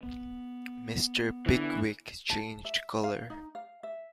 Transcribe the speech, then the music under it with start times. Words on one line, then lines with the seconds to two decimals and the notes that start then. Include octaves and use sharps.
Mr. Pickwick changed colour.
0.03 B3
1.46 D3 E3 D4
2.30 A5
2.65 E5
3.04 F5
3.30 D#4
3.55 F5
3.83 E5